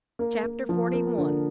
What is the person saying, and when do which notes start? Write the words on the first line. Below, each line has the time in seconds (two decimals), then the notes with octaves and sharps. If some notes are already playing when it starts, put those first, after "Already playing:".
Chapter XLI.
0.19 A#3
0.43 A#3
0.69 F3
0.93 A#3
1.18 D3